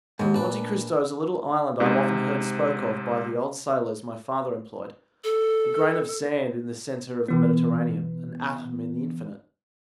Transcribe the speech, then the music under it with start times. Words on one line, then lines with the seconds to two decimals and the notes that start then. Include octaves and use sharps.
"Monte Cristo is a little island I have often heard spoken of by the old sailors my father employed--a grain of sand in the centre of the Mediterranean, an atom in the infinite."
0.19 D#2 G#2 G#3
0.34 A#1 D4 B4
1.80 G#2 C3
5.24 A4
7.28 B2 E3 B3